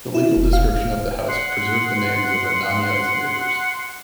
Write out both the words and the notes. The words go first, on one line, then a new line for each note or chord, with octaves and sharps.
The legal descriptions of the house preserve the names of Ananiah's neighbors.
E4
F1
F5
D1
F#5 C6